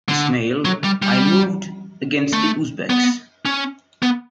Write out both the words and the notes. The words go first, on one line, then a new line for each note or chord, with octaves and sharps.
Ismail I moved against the Uzbeks.
D3
F#3
G3
G3
A3
B3
C#4
B3